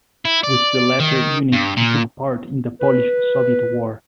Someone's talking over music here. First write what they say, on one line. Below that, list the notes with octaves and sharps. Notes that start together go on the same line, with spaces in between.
With the latter unit he took part in the Polish-Soviet War.
E4
D5
D#3
G2
A#2
B4